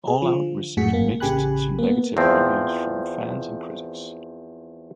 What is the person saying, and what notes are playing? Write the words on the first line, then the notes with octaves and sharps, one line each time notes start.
All Out received mixed to negative reviews from fans and critics.
G#4
D3 F3
F#2 A2 F#4 G#4 B6 C#7
G#1 A#3
A1 C#3 G4 G#5 B5 F#6
A#3 B3
E2 F3 C4